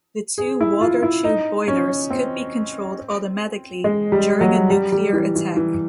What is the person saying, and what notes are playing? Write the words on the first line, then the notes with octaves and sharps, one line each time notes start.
The two water-tube boilers could be controlled automatically during a nuclear attack.
G#4
E4
F4
E4
D#4
C#4
C4
G#3
G3
F#3
G3
G3
E3
E3
E3